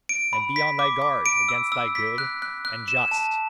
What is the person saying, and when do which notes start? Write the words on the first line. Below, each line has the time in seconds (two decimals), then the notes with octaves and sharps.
And be on thy guard against the good and just!
0.09 D7
0.33 B5
0.56 B6
0.79 D6
1.02 D6
1.26 D7
1.49 E6
1.72 E6
1.95 B6
2.18 F#6
2.42 F#6
2.65 F#6
2.88 E7
3.11 A5